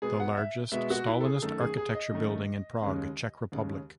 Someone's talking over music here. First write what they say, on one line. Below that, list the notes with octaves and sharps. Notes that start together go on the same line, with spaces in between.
The largest Stalinist architecture building in Prague, Czech Republic.
B2 G#3 B3 G#4
F#5
E5
B2 G#3 B3 E5
F#4
E4
A4
G#4
F#2 D#3 A3 A4
G#4
G#4
D#5
F#2 D#3 A3
D#2 C#3 G#3 C#4
D#2 C#3 G#3 C#4